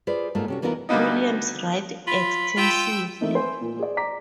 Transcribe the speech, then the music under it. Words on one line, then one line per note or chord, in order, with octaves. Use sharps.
Williams writes extensively.
F4 G#4 B4 C5 D5
G#2 A3 A#3 F4
C3 C#4 F#4
E3 B3 D#4 F4 A#4
D2 G3 A#3 B3 D#4
F4 B5
F4 G5 E6
A3 A#3 C4 D#4
B4 C5 G#5 C6
A#2
G#4 D5
D5 A#5 D6 B6